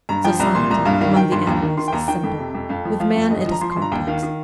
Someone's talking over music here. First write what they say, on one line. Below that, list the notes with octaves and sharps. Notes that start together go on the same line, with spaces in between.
Society, among the animals, is SIMPLE; with man it is COMPLEX.
G2 A#5
F3 G5
C2 A#5
A#2 C6
C2 A#5
G2 F5
D#3 F5
D#3 G5
G2 C6
D#2 A#5
D#3
D#3 C6
G5
D#2 A#5
D#3 G5
F2
C3
F2
F2 F5
F3
F3 F5
F2
G2 D#5
F3 D#5
A#5
F3 C6
G2 C6
A#5
D#2 G5
D#3 F5
D#3